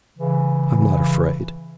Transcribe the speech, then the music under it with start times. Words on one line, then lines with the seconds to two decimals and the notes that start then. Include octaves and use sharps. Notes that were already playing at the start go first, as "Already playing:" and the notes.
"I'm not afraid."
0.18 C#3 E3